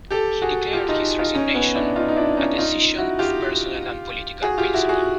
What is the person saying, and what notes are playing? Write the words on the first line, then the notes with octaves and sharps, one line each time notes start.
He declared his resignation a "decision of personal and political principle".
G4 A4
F#4 G#4
F4 G4
D#4 F4
D#4 F4
C#4 D#4
B3 C#4
D4 E4
D#4 F4
D#4
D4 E4
C#4 D#4
D#4 F4
E4 F#4
F4 G4
F#4 G#4
F4 G4
E4 F#4
F#4 G#4